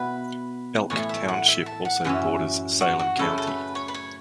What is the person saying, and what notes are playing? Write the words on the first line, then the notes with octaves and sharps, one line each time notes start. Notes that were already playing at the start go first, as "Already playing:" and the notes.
Elk Township also borders Salem County.
Already playing: B2 B3 E4 B4
A2 E3 A3 C#5
E5
F#5
E5
A5
F#5
F#2 E3 C#4 E5
F#4
F#4
F#2 C#3 A3 C#4 E4 A4
A4
B4
C#5
B4
C#5